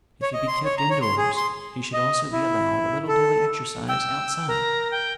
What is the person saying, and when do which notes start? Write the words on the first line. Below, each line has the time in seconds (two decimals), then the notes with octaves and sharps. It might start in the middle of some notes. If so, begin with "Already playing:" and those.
If he be kept indoors, he should also be allowed a little daily exercise outside.
0.22 C#5
0.34 D#5
0.48 C6
0.65 C#5
0.78 A#5
0.90 C#5
1.02 C6
1.17 G#4
1.37 C6
1.93 D#5
2.32 E4
3.08 A4
3.89 G5 E6
4.48 A#4 A#5
4.91 G5